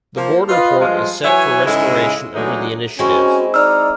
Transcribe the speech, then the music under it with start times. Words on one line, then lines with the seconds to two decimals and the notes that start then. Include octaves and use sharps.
The border port is set for restoration under the initiative.
0.16 F3 A#3
0.49 F4 B4 D#5
0.79 G2 F3 G#3 F4
1.24 E3 F#3 C#5 E5 G#5
1.66 G#2 C#3 E4 A4 D#5
2.34 E3 F#3 G#3 A3 D4 D#4
2.99 G#3 C4 C#4 E4 F#4
3.54 D#4 D5 E6 F6